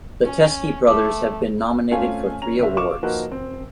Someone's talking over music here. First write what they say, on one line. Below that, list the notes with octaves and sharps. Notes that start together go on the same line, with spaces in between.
The Teskey Brothers have been nominated for three awards.
C#4
A3 D6
A3 C4 C#4 F4 F5 G#5
C#4 A#5 F7
F#1 E5
F4 C#6 D6 E7
F3 A#3 D#4 F#4 A#4 B4
D#1 C4